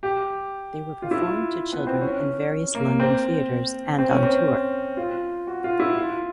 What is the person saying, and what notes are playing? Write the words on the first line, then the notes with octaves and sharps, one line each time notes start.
They were performed to children in various London theatres and on tour.
G4
F4
E4
F4
B3
C4
C#4
A#3
C4
C4
C#4
C4
F4
F#4
F4
E4
F4